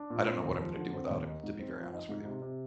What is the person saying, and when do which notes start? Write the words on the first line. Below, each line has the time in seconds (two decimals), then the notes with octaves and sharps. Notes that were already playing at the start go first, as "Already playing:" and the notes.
I don't know what I'm gonna do without him, to be very honest with you.
Already playing: D4
0.10 A#2
0.27 C4
0.44 D#2
0.60 F3
0.77 D3
0.94 C4
1.10 D#2
1.27 D#4
1.43 G#2
1.59 C4
1.76 F3
1.93 D#4
2.09 G#2
2.25 C3
2.42 C3